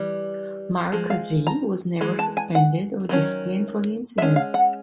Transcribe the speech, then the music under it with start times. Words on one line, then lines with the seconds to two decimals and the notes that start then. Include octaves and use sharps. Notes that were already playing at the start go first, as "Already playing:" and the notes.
Markazi was never suspended or disciplined for the incident.
Already playing: E3 G3
0.92 F3 G#3
1.10 F5
1.47 A#5
2.01 E3 G#3
2.19 A5
2.37 G#5
2.55 F#5
3.09 D#3 F#3 C#4
4.18 G#3 E5
4.22 C#4
4.36 F5
4.54 F#5